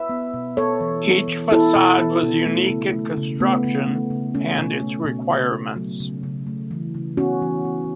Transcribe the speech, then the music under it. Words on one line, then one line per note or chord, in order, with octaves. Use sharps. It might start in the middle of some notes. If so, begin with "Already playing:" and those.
Each facade was unique in construction and its requirements.
Already playing: B4 E5
B3
B2
B3 A4 C#5
E3
B3
E3
B3 E4 A4
B2
B3
B2
A3
C#3
A3
C#3
A3 B3
C#3
A3
C#3
A3 C#4
B2
A3
B2
C#3
A3
F#3
C#3
C#3
A3
E3
C#3
B3 C#4 F#4
E3
B3